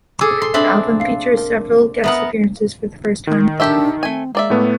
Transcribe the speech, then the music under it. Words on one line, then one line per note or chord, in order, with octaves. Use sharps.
The album features several guest appearances for the first time.
G#4 A4 D6 E6
C6
C4 D4 E5 B5
F5 C7
A#4
B3 A#4 E5 F#5 D#6
D#3
D4 G4 A4 E5
A3 C4 G#5
G#3 A#3 D5 E5
A2 A3 B3